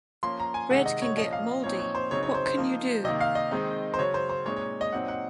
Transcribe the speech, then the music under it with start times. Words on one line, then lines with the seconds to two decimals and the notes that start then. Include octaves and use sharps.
Bread can get moldy. What can you do?
0.23 F3 A#3 C#4 C6
0.39 A#5
0.54 G#5
0.70 C3 D#3 G#3 D#4 F#5
0.86 D#5
1.02 C#5
1.17 A#2 F3 A#3 C#4 D#5
1.33 F5
1.64 A#2 F3 C4 D#4 C#5
1.80 C#5
1.95 C5
2.11 C#3 F#3 C4 D#4 C#5
2.23 C#5
2.34 C5
2.46 C5
2.57 F3 A#3 D#4
3.04 C3 D#3 A#3 D#5
3.21 F5
3.35 D#5
3.51 D#3 G#3 C4 D#4
3.94 C5
3.99 C#3 F#3 C#4 C#5
4.14 C5
4.29 C5
4.45 A#2 G#3 C4 D#4 C#5
4.56 C#5
4.81 D#5
4.92 A#2 F#3 C4 D#4 F#5
5.08 F#5